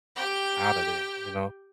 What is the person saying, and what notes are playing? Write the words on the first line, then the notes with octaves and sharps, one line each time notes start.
out of there, you know?
G4 G5